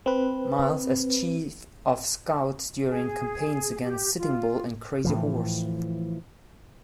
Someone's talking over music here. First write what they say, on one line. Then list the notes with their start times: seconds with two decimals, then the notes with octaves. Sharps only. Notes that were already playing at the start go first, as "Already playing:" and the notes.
Miles as chief of scouts during campaigns against Sitting Bull and Crazy Horse.
0.06 C4 B4
2.88 G#4
3.83 G4
4.19 F4
5.04 A2 E3 F3